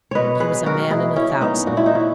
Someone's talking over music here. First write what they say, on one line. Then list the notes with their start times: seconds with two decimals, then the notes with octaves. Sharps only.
He was a man in a thousand.
0.11 B2 B4 C#5 D#5
0.40 G#4 B4
0.54 F#3
0.66 F#4 A#4
0.90 B2 E4 G#4
1.16 C#4 E4
1.28 F#3
1.41 B3 D#4
1.66 A#2 F#4
1.77 E4
1.86 D#4
1.95 C#4 E4